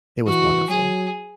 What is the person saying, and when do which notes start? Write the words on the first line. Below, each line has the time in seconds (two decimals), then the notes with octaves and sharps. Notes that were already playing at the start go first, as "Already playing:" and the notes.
it was wonderful.
0.26 E3 F#4
0.69 F#3 G#4